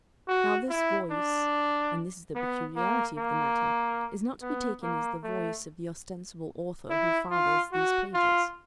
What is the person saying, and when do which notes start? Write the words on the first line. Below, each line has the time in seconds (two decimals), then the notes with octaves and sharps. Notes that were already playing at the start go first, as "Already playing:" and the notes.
Now, this Voice, and this is the peculiarity of the matter, is not to be taken as the Voice of the ostensible author who fathers these pages.
0.29 F#4
0.69 E4
1.11 D4
2.35 B3
2.76 A#3
3.18 A#3
4.42 B3
4.83 A#3
5.24 A3
6.90 E4
7.31 F4
7.73 F#4
8.14 F4